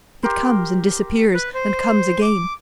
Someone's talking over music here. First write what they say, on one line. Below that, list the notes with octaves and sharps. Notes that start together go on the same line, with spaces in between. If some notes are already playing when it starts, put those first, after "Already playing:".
It comes and disappears, and comes again.
G4 A#4 C5
B4
C5
D6